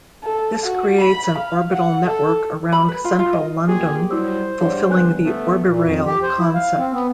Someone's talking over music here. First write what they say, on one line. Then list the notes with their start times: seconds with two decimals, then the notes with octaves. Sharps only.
This creates an orbital network around Central London, fulfilling the Orbirail concept.
0.23 A4
0.64 F#4
1.00 B5
1.38 F5
1.73 F#5
2.06 A4
2.72 B5
2.88 B4
3.04 F4
3.19 F4
3.33 D#5
3.68 A#2 G4 G#4
4.11 F#3 G3 E4 C5 D#6 E6
4.60 G2 G3 G#4 C#5 F#5
4.89 G1 B4 G#5 F#6
5.25 A3 B3
5.67 A#2
5.85 F2
6.05 G4
6.22 C5
6.39 E4
6.54 F5
6.78 C4
6.92 B3